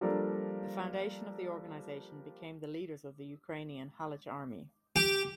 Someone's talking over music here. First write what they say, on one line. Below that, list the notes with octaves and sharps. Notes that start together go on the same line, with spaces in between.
The foundation of the organization became the leaders of the Ukrainian Halych Army.
F3 G3 A#3 D4 A4 A#4
G4